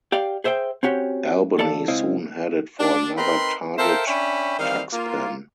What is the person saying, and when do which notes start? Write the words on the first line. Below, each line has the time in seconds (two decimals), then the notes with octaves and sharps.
"Albany" soon headed for another target-Tuxpan.
0.12 G4 D5 F5 G5
0.44 G#4 C5 E5 F#5 G5
0.83 C4 C#4 F#4 G4
1.58 E2 A4 D5 F5 A5
1.88 C#2 C4 E4 D#5 F5
2.80 D4
3.17 C4 D#4 A#4 B4 B5 C6
3.78 A4 A#4 C5 E5 F5 G5
4.07 C#4 D4 C#5 E5 G5 B5
4.59 D#3 E3 G3 C4 F5
4.93 A#3 F4